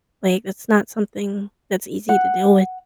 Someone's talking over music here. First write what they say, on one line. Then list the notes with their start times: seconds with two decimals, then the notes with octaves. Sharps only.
like, it's not something that's easy to deal with.
2.09 F#5